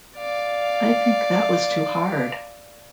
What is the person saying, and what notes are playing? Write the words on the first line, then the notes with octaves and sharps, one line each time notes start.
I think that was too hard.
D5 F5